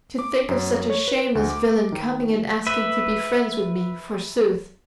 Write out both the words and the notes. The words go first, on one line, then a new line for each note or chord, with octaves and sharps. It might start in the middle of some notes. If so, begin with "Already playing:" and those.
To think of such a shameless villain coming and asking to be friends with me, forsooth!
D6
F#2
C#5
B4
D2
D6
D#3
B4 E5